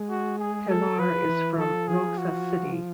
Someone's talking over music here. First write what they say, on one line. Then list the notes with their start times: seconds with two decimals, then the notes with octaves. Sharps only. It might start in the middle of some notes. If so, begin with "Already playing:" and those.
Pilar is from Roxas City.
Already playing: G#3
0.10 F#4
0.39 G#4
0.69 A4
0.99 F3 B4
1.29 E3
1.58 F3 A4
1.88 G#4
2.18 F#4